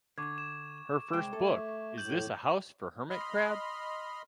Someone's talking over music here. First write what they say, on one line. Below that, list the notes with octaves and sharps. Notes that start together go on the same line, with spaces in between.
Her first book, Is This a House for Hermit Crab?
D3 C#6 D6 G#6
E7
C2 G#3 G5
A3 A4
A2 G6 F#7
D#5 B5 C6 F6